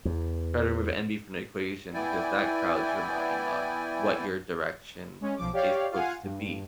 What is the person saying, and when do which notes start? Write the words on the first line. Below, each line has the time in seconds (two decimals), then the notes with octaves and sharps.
Try to remove envy from the equation because that crowds your mind on what your direction is supposed to be
0.05 E2
1.94 E3 B3 E4 D5 G5 G#5
5.20 G#3 C#4
5.37 B1 F3 D6
5.53 G4 C#5 D5 F5
5.91 F4 F5 F#5 G#5
6.23 G2